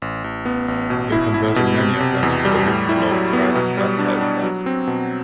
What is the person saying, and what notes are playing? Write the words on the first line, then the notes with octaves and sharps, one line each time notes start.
He converted many of them to believe in the Lord Christ and baptized them.
A1
A1
B3
A1
B2
E4
E4
B2
C3
C3
E2
G3
A2
E4
F#3
B3
B2
G3
D4
D4
F#3
C4
B2